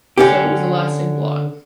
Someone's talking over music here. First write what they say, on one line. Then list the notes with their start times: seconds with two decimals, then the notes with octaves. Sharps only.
So it was a lasting blot.
0.18 D3 C#4 G4